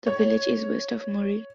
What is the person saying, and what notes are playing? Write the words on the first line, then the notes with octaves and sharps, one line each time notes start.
The village is west of Muri.
C#5